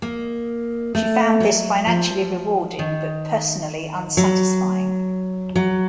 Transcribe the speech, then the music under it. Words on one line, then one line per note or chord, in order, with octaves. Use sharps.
She found this financially rewarding, but personally unsatisfying.
A#3
A3
F#3
F3
D#3
F#3
F#3